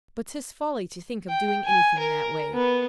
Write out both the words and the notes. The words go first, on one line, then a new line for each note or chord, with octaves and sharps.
But 'tis folly to think of doing anything that way.
G5
G#5
A#4
B3